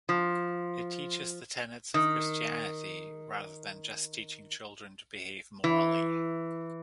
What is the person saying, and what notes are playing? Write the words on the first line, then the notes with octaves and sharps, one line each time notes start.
It teaches the tenets of Christianity rather than just teaching children to behave morally.
F3
D#3
E3